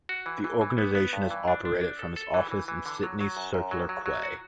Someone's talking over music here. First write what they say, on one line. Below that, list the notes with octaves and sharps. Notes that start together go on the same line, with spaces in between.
The organisation is operated from its office in Sydney's Circular Quay.
F#4
E3
E3
E3
B3
B3
G2
E3
D4
D4
D4
A4
A4
E3
E3
E3
D3
F#3
F#3
F#2
F#2
F#3
F#3
F#3
F#4